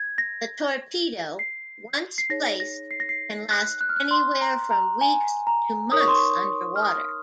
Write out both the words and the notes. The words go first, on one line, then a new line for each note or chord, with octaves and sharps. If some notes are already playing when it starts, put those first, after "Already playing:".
The torpedo, once placed, can last anywhere from weeks to months underwater.
Already playing: G#6
A#6
C7
C7
D#4 G#4 C#5 A#6
A#6
C7
A#6
C7
F#6
F#6
F6
F#6
C6
A#5
A#5
G#5
A#5
D#4 A#4 C#5 D#6
C#6
C6
C#6
F6
D#6